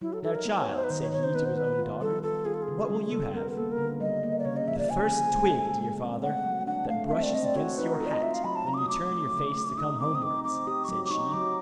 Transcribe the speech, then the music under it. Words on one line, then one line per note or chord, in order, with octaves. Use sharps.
'Now, child,' said he to his own daughter, 'what will you have?' 'The first twig, dear father, that brushes against your hat when you turn your face to come homewards,' said she.
F#3 E4
A4
D#4 A4
A#4
B3
C#5
D#4
C5
B4
D#3 C5
C#5
D#3 C#5
C5
B3 B4
C5
D#3 B4
F4
G3 A4
F4 A4
F4 G#4
A4
G#4
C#3
G3
C#3 A4
B3 A#4
A#4
A#3 A4
A#4
D3
G3 D#5
A#3
D5
C#3 C#5
D#5
F3 E5
D5
C#3 G#5
F3
G#3
A4
G#3
C4
A3 F#5
F#3
D4 F#5
A3 F5
F5
C4 E5
D5
C4 D#5
D5
F#4 C#5
D#4 B4
A#4
F4 A4
D5
D#5
F4 E5
F5
F#3 B5
A5
F#3 A#5
D6
D#6
A3 D6
A3
C#3
A3
D#4 D#6
C4 D6
D#6
D#4 D6
C4 D6
G4 D#6
C#6
F#3 D6
D6
D#4 C#6
F#3 D6